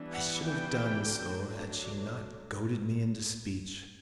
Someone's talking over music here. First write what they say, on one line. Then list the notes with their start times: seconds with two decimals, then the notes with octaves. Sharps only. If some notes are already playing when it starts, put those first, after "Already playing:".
I should have done so had she not goaded me into speech.
Already playing: E3 G3 B3 D4
0.14 F#5
0.45 G5
1.08 D3 F#3 A3 D4